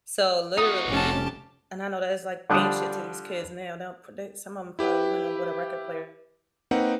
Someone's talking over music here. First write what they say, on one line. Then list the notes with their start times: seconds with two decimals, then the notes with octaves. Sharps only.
so literally and I know that is like ancient to these kids now, they don't produ some of them probably don't even know what a record player
0.58 D#4 F#4 D#6
0.89 F1 C#4 G4 A5
2.50 D3 F3 G3 D4 D#6 F#6
4.79 E4 G4 B4 G5
6.71 A#3 C4 D#4 B4 F#5